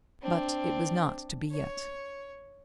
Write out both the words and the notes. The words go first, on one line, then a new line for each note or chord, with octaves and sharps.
But it was not to be yet.
C4 D4
C#5